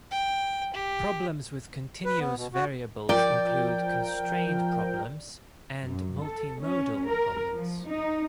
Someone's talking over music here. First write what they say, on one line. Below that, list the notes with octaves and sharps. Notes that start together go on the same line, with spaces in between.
Problems with continuous variables include constrained problems and multimodal problems.
G5
G4
B4
B3
B2
F#4
F3 A#4 D5 G5
F#2
A4
C#4
A#4
F3
D#4